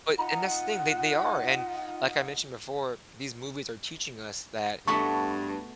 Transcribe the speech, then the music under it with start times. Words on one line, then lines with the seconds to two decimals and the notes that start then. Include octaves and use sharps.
But and that's the thing, they they are. And, like I mentioned before, these movies are teaching us that
0.18 D#4 F4 D#5 F#5 A#5
4.88 G2 A3 B3 F#4 C#6